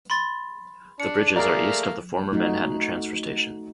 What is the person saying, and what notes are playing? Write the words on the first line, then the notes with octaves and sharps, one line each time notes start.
The bridges are east of the former Manhattan Transfer station.
B5 C6 A6
D4 C#7
A3 A#3 G#4 A#4 D5
A3 D#4 F#4